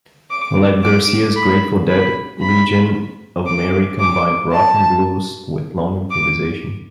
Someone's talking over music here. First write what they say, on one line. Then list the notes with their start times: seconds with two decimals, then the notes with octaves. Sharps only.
Like Garcia's Grateful Dead, Legion of Mary combined rock and blues with long improvisation.
0.31 D6
0.84 D6
1.36 B5
1.88 B5
2.41 B5
3.46 D6
4.00 D6
4.52 A5
6.11 D6